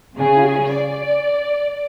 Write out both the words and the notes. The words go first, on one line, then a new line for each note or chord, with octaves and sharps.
"Of course."
C#3 G#4
D5